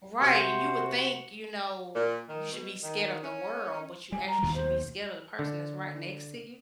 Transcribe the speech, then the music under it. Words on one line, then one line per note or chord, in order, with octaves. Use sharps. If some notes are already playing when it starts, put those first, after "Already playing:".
Right. You would think, you know, you should be scared of the world, but you actually should be scared of the person that's right next to you.
C3 F#4 C5 C#7
A#2
D#3
B2
D#3
C#4
G3 G#5
A#5
D#2 B2 D#3
C5
D3